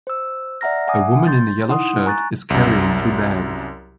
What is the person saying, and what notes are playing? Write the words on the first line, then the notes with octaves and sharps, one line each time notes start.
A woman in a yellow shirt is carrying two bags.
C5 E6
D5 E5 F#5 A#5 F6 A#6
E5 F#5 G#5 D6 D#6
C6 G6 A6
D#4 E4 F#5 C6 D#6
G#5 A#5 C#6 F#6 A6
C2 F#2